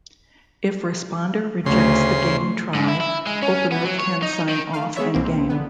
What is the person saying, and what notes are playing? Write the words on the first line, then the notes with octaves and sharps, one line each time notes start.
If responder rejects the game try, opener can sign off in game.
D2 C#3 C6
G#2
E4
E4
G#3
C#4
B3
F#3
C#5
D#4
D#3
A3 F5
G#3 B3 C#5 E5
C2 B2 E3 A#3 C4
D3 B3